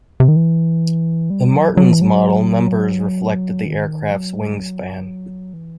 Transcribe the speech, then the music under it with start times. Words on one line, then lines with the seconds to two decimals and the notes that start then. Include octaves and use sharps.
The Martin's model numbers reflected the aircraft's wingspan.
0.20 C3
0.28 D#3
0.36 E3
1.30 G3
1.54 F#3
1.77 F#3
1.90 E3
2.02 F#3
3.65 D#3
4.12 F#3
4.36 G3
4.59 F#3
5.54 E3